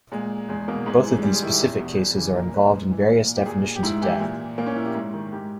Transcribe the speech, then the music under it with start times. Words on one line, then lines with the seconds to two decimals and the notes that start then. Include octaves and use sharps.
Both of these specific cases are involved in various definitions of death.
0.12 A#2 G#3
0.49 E2 G#3
0.68 B2 A#3
0.86 G#2 G#3
1.05 E3
1.18 G#3
1.23 G#2 G3
1.33 G#3
1.42 D#3 E4
1.51 G4
1.61 E2
1.79 B2
1.97 E2
2.16 C#3 E3
2.35 A#2 A#4
2.54 B4
2.71 G#2
2.91 E3
3.09 A#2
3.36 G4
3.46 A#2 G#4
3.75 G4
3.83 G#2 E4
4.02 E3 G4
4.20 A#2
4.58 A#2 A#3
4.67 C#4
4.76 E4
4.86 G4
4.94 G#2
5.14 D#3
5.32 G#2 G4